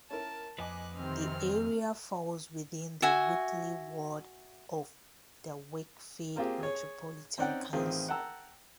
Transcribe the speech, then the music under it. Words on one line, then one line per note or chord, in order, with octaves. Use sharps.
The area falls within the Whitley Ward of the Wakefield Metropolitan Council.
C#4 E4 A#4 A5
F2 B4 D#5 G#5 D6 F#6
C3 D#3 C4 F6
F#4 E5 G#5
A#3 C4 F4 G4 G#4
G#4 C#5
C4 C#4 D#4 D5 F#5 G5
A1 D#3 C4 F4 G#4
F#5 G5 A5 A#5 E6